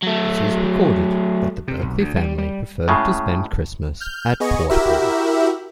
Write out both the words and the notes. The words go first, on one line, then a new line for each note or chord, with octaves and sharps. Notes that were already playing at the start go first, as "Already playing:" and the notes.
It is recorded that the Berkeley family preferred to spend Christmas at Portbury.
F#3 A3
C3
B1
D2
G3
G3
A2 C#3 G#3
F6 G6
B3 G#4 D#5 C#6
E4 F#4 G4 A#4 E5